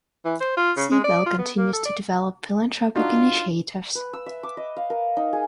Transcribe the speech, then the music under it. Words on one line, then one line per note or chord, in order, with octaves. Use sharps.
Siebel continues to develop philanthropic initiatives.
E3
C5
F4
C#3
G#3
D5
F4
B3
A#3
A4
D5
D4 D#4 F4 F#4
B4
E6
E5
D6
D#5
F5
A#4
D#4
G#4